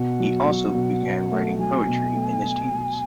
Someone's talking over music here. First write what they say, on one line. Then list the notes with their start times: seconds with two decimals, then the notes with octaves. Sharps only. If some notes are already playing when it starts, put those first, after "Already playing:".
He also began writing poetry in his teens.
Already playing: B2 F#5
0.20 F#3
0.47 F#3
0.75 B2
1.03 B2
1.32 A3
1.58 F#3 G#5
1.87 B2
2.15 A3
2.42 A3
2.71 B2